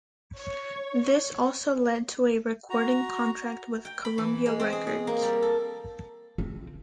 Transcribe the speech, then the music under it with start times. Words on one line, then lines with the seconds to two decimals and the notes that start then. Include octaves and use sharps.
This also led to a recording contract with Columbia Records.
0.38 C#5
2.70 F#4 A#5
3.85 G5
4.05 B5
4.18 E3
4.46 G#3
4.60 C4
4.73 G#4
4.87 G#4
5.07 A#3
5.23 G3
5.42 A4
6.38 C4